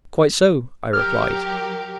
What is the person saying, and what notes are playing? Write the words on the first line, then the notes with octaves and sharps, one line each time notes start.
"Quite so," I replied.
F#3 G4 A#4 F6